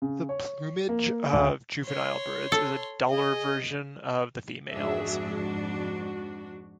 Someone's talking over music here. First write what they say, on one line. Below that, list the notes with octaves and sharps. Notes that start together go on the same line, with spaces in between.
The plumage of juvenile birds is a duller version of the female's.
C#3
C#5
A#3
D2
C#5 C6
A4
G#4 D#5
F2 G#2 D4 F#4 G#4 E5
F#4